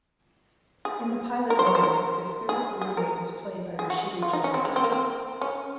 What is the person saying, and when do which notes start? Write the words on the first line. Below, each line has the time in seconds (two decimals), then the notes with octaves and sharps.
In the pilot only, the third roommate was played by Rashida Jones.
0.85 G#4
1.50 A#4
1.59 C5
1.67 C#5
1.75 C5
1.83 A#4
2.49 G#4
2.81 G#4
2.97 A#4
3.79 G#4
3.90 F#4
4.22 F4
4.33 D#4
4.44 C#4
4.54 C4
4.65 G#3
4.76 C4
4.84 A#3
4.92 C4
5.41 C#4